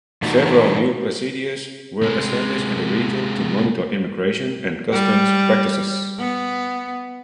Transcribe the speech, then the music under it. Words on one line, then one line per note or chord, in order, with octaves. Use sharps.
Several new presidios were established in the region to monitor immigration and customs practices.
B2 E3 A3 D4 D#4 F#4
C3 G#3
G3
B3